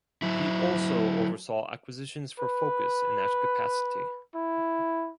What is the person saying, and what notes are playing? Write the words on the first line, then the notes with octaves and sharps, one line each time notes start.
He also oversaw acquisitions for Focus in that capacity.
F#3 E4
B4
E4